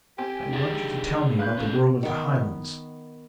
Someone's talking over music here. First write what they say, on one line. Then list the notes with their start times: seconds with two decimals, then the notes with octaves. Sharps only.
I want you to tell me about the world of the Highlands.
0.18 C4 G4 G5 G#5
0.53 D4 D#4 G#4 G5 A6
1.39 B4 F5 F#6 G6
1.58 C#4 G#4 A4
2.03 D#3 B3